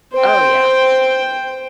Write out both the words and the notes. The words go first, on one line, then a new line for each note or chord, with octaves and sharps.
Oh, yeah.
C5 G5